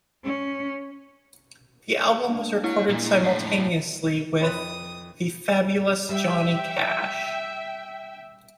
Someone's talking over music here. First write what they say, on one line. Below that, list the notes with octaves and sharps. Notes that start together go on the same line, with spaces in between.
The album was recorded simultaneously with "The Fabulous Johnny Cash".
C#4
G#3 A#3 D4
E4 F#4 C#5
A#2
F2 A2
F2 B4 C#5 C6 D#6
G3 E5 G5